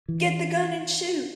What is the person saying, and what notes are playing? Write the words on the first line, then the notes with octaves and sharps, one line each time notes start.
Get the gun and shoot!
E3